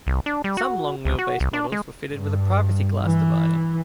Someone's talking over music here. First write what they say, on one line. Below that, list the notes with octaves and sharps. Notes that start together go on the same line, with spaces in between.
Some long-wheelbase models were fitted with a privacy glass divider.
C2
D4
G3
F#4
C#2
F#4
C2
D4
G#3
G2
E3